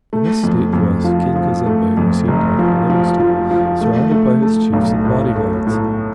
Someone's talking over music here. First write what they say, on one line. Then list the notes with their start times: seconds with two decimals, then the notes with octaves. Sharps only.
In this state dress, King Cazembe received Dr. Livingstone, surrounded by his chiefs and body-guards.
0.13 A3
0.43 F2
0.73 F2
1.04 F3
1.36 F3
1.66 A3
1.97 F2
2.28 F1
2.59 F3
2.90 F3
3.20 F3
3.51 F3
3.81 A3
4.11 A3
4.42 A3
4.73 B1
5.05 A2
5.36 A3
5.67 A2